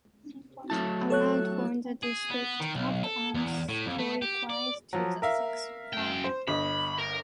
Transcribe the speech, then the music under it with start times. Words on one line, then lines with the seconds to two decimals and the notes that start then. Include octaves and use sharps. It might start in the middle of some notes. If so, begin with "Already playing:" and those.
Arad won the district cup and qualified to the sixth round.
0.70 F#3 A3 A5
1.10 A4 C#5 F#6
2.03 G#4
2.30 B3
2.60 D#3
2.75 B1
3.04 A4
3.35 E2
3.69 A2
3.86 F2
3.98 A3
4.22 G4
4.50 D5
4.93 F3 F#3
5.22 A#4 E5 F5
5.93 F#2 G5
6.24 C5
6.48 G1 D#5 B5
6.98 A#4